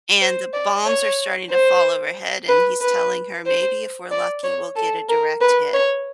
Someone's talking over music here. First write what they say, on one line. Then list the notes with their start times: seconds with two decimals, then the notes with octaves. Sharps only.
and the bombs are starting to fall overhead, and he's telling her, "Maybe if we're lucky, we'll get a direct hit."
0.21 C5
0.53 D5
0.86 C#5
1.51 C5
2.49 B4
2.81 B4
3.46 C5
4.11 D5
4.44 C#5
4.76 A4
5.09 A#4
5.41 B4
5.73 C#5